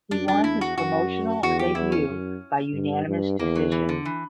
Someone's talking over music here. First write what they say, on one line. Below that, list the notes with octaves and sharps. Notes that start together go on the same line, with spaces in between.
He won his promotional debut by unanimous decision.
F#2 D4
D4
E2 E4
F#4
F#2 F#4
E2 F#4
G4
E2 E4
C#4
F#2
G2
G2
E2 A#3
F#3
E3
D3
E3